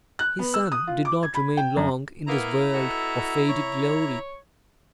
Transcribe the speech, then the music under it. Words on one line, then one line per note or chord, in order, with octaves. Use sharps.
His son did not remain long in this world of faded glory.
F#6
B3
E6
D#6
F4
D6
G#6
B5
G5
F#2
A#3 B3 E4 A#5
B2 F#4 A4
C#5